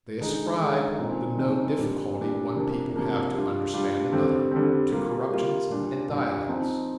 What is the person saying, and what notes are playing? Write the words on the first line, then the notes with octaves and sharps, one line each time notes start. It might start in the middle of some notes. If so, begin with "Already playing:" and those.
They ascribe the known difficulty one people have to understand another to corruptions and dialects.
D3 G#3 D#4
D3 G#3 D#4
A#2 F3 C4 D#4
A#2 F3 C4 D#4
A#2 G3 D4
A#2 G3 D4
C3 F3 A#3 D4
C3 F3 A#3 D4
G3 D4 F4
G3 D4 F4
D3 G3 C4
D3 G3 C4
G3 A#3 F4
G3 A#3 F4
A#2 G3 D4 F4
A#2 G3 D4 F4
F3 C4 D#4